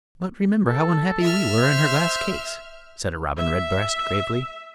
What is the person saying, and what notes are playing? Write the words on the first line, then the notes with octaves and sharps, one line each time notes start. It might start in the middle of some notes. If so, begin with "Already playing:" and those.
"But remember how unhappy we were in her glass case," said a robin redbreast, gravely.
A4
E5 F6
C5
E5